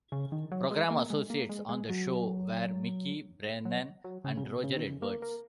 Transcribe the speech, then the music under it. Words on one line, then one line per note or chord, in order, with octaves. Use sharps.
Programme associates on the show were Mickey Brennan and Roger Edwards.
C#3
D#3
F#3
G#3
A#3
G#3
A#3
G#3
G#3
F#3
F#3
F#3
C#3
C#3
B2
C#3
D#3
C#3
A#3
A#3